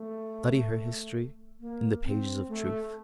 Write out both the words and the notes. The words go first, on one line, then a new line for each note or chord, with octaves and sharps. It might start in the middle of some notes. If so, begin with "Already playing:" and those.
Study her history in the pages of truth.
Already playing: A3
A#3
C4
A3